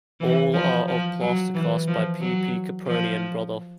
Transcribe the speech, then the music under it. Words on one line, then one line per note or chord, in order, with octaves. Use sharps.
All are of plaster cast by P. P. Caproni and Brother.
E3
F3
F3
F#3
E3
F3
F#3
F3